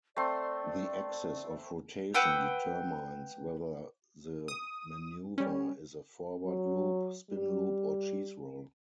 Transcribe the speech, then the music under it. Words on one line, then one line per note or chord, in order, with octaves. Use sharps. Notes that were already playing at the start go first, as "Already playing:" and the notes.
The axis of rotation determines whether the maneuver is a forward-loop, spin-loop, or cheese-roll.
A3 C4 D5 C6
B4 F#5 G5 E6
D#6
G3 C#4
F#3
G3